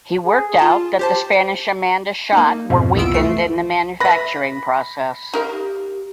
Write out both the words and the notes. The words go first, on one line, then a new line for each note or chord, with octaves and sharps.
He worked out that the Spanish Amanda shot were weakened in the manufacturing process.
G#4
F4 A5
G4 C5 A5
A#3 D#4
F2 G#2 B2
C2 E3 B3 F4 E6 D7
A3 C7
B4 E5 B5 A#6
D#4 G4 A#4 F5